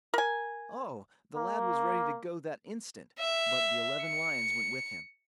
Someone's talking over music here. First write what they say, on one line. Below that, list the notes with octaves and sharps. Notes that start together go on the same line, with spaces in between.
Oh! the lad was ready to go that instant; but the eleven lions went with him.
A#4 G#5
A#3
E5
C#7